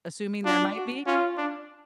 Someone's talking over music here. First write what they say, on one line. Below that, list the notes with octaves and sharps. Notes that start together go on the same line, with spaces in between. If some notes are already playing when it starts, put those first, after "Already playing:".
assuming there might be,
D4 F4
F#4
C#4 F4
D4